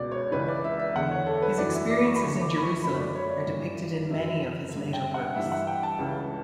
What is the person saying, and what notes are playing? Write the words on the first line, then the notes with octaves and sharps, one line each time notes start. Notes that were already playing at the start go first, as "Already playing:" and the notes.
His experiences in Jerusalem are depicted in many of his later works.
Already playing: C#2 B2 D5
C#5
C#2 C#3 E3 B4
D5
E5
E5
E2 D3 F#5
C#5
A4
B4
F#2 E3 D5
E5
D6
C#6
B5
D2 D3 C#6
D6
B5
C#6
F#2 D3 B5
D5
C#5
D5
G2 E3
F#2 E3 E5
G2 D3
G5
F#5
G2 E3 E5
F#5
G5
A5
C#2 C#3 E3